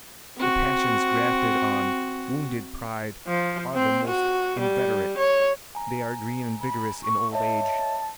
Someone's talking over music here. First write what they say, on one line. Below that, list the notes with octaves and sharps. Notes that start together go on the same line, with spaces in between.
The passions grafted on wounded pride are the most inveterate; they are green and vigorous in old age.
C4 F#4
F3
C4
F#4
G3
C#5
G#5 A#5
B5
C#6
C#5 D#5 E5 A5